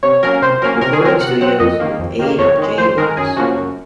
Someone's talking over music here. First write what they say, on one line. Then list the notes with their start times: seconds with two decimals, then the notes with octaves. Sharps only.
Recording Studios with A. J. Mogis.
0.03 C3 C#5
0.23 F#3 A#3 C#4 A#4
0.42 C3 C5
0.62 F#3 A#3 C#4 A#4
0.81 C3 A#4
0.93 G#4
1.01 F#3 C4 A#4
1.21 C3 F#5
1.41 F#3 C4 F#5
1.60 F2 D#5
1.80 D#3 A#3
1.99 F2
2.19 D#3 A#3
2.38 F2 C#5
2.58 D#3 G#3
2.78 F2 C5
2.97 D#3 G#3 A#4
3.17 F#2 G#4
3.37 C#3 F3 A#3 C#4 F#4
3.56 F#2